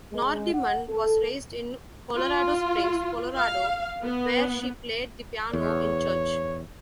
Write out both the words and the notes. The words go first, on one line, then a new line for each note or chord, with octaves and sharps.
Nordeman was raised in Colorado Springs, Colorado, where she played the piano in church.
G#3
F#5
A4
F4
F5
B3
E2 C#5